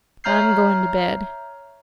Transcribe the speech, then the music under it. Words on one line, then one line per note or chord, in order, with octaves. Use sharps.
"I'm going to bed."
C#5 E5 A#5 F6 G6 C7